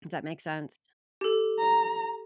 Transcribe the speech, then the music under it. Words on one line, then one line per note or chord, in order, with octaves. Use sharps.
Does that make sense?
G4 A4
A#5